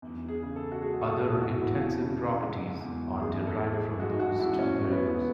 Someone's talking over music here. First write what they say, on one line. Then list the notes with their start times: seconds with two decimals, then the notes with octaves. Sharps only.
Other intensive properties are derived from those two variables.
0.02 E2
0.29 G#4
0.43 C#3
0.56 A4
0.72 F#4
0.81 G#3 G#4
1.01 A4
1.21 E2 G#4
1.34 E4
1.41 F#4
1.61 E2 E4
2.02 C#3
2.41 G#3
2.81 E2
3.20 A1 G#4
3.47 A4
3.60 A2
3.73 G#4
3.99 G#3 F#4
4.20 F#4
4.39 A1 E4
4.59 C#4
4.79 A1 C#4
4.91 B3
5.15 B3